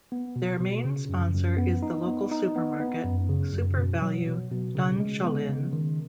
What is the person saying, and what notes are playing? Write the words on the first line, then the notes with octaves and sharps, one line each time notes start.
Their main sponsor is the local supermarket, SuperValu Dunshaughlin.
B3
B2
B2
C#3
F#2
F#2
B3
D#4
B3
D#4
B3
B3
F#2
C#3
F#2
B2
F#3
B2
B2
C#3
G#3
B3
C#3
D#3